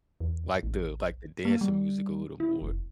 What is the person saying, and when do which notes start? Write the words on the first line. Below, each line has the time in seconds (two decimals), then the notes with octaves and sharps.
Like the like the dancing music a little more.
0.20 E2
0.63 A1
1.45 A#3
1.61 G3
2.40 E4
2.62 F1